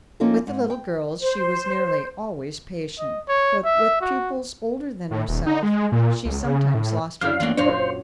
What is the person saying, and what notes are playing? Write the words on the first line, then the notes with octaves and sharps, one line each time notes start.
With the little girls she was nearly always patient, but with pupils older than herself, she sometimes lost her temper.
F3 A#3 C#4 D#4 F4 A4
G#2
G5
C5
D#5
C#5
E5
F#4
A2
D#1
D#4
G#3
A#2
C#2
C#3
A2
F#2 D4 E4 C5 F5
E3 A3 A#3 F4 F#4
F#2 A#2 F#3 D4 C5 C#5 F5
C5